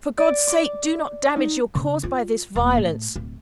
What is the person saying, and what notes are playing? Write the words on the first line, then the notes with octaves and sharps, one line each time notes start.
'For God's sake! do not damage your cause by this violence.
D5
D6
D#4
C#3
F4
D#1
A2
D1